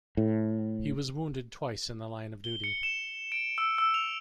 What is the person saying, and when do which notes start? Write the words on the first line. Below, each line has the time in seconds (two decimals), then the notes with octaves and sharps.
He was wounded twice in the line of duty.
0.17 A2
2.44 G7
2.64 C#7
2.83 E7
3.32 D7
3.58 E6
3.78 E6
3.94 F7